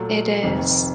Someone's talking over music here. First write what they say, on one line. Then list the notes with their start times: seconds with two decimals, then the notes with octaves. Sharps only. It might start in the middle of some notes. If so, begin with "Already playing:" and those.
It is.
Already playing: A#2 F#3 A3
0.43 F1 F2 C3 D#3